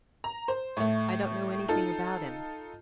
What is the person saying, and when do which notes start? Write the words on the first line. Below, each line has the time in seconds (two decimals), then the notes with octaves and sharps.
"I don't know anything about him."
0.24 A#5
0.48 C5
0.77 A2 A3
1.68 D#4 F4 A4